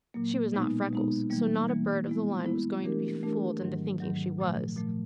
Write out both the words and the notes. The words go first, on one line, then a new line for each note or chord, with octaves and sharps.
She was not Freckles, so not a bird of the line was going to be fooled into thinking she was.
A#2 F#3 A#3
B2 G#3 B3 D#4
B2 G#3 B3 D#4
E3 G3 A#3
E3 G3 A#3
G#3 B3 E4
G#3 B3 E4
E3 A3 D4 G4 A#4
E3 A3 D4 G4 A#4
G#2 D#3 F#3
G#2 D#3 F#3
A#2 F3 A3
A#2 F3 A3